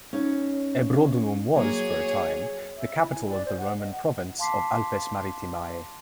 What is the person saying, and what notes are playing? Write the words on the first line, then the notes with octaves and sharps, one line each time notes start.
Ebrodunum was, for a time, the capital of the Roman province of "Alpes Maritimae".
C#4 D#4 C#5
F#3 A#3 F#4 G#4 C#5
E5
E4
G#5
D5
C5
F#5
D#5
F#5
F5 A5 C6 D6 B6 C7